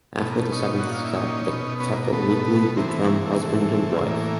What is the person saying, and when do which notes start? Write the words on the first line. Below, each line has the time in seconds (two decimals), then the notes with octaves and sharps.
After the seventh step, the couple legally become husband and wife.
0.19 B2 A3
0.30 A#3
0.41 A3
0.52 C#4 D#4
0.80 A#2 F#4
0.92 F4
1.04 E4
1.16 C#4 D#4
1.48 B2
1.80 B3 C#4
1.91 A#3
2.02 A#3
2.12 B2 A3 B3
2.77 C3 E3 A#3 C4
2.87 A3 B3
2.99 A#3
3.10 A#3
3.26 A3
3.30 A#3
3.41 C3 E3 A3
4.05 A2 E3 A#3